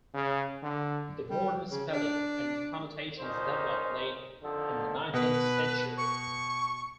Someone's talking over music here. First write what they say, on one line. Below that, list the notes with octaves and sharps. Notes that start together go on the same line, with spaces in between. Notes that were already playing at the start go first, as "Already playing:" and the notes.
The modern spelling and connotations developed late in the nineteenth century.
C#3
D3
G3
C#3
D4
F2 A#2 C#4 D#4 C5
F2 D3 D#3 F3 A4
B2 B4
C#6